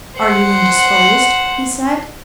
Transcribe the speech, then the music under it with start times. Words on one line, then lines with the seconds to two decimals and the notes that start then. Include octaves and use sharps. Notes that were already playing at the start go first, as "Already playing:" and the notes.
"Are you indisposed?" he said.
0.19 C5 F#5